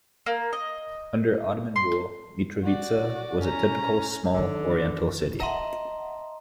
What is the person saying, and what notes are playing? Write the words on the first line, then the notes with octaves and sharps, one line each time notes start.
Under Ottoman rule Mitrovica was a typical small Oriental city.
A#3
D#5
C6
F#4 D5
C#4 A#5
F#2 D3 D#3
D#5 E5 F#5 A5 A#5 C6